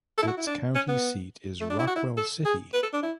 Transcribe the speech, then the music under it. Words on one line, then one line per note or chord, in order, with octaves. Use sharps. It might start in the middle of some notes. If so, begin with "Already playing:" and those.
Its county seat is Rockwell City.
A4
E4
F#4
E4
D4
C#4
B3
A3
D4
E4
F#4
E4
A4
G#4
B4
A4
D4
E4